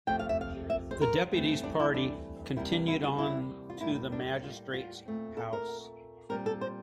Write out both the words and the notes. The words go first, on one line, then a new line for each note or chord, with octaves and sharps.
The deputy's party continued on to the magistrate's house.
F2 C3 F3 A3 C4 G5
F5
E5
F5
E5
C5
A#4
G2 E3 A3 C4
D4
E4
D4
E2 C3 G3 A#3 E4
D4
E4
F4
E4
F4
A2 G3 A#3 E4
D4
F4
F4
A#2 A3 C4
A4
A#4
A#2 G3 C4 A#4
A4
C5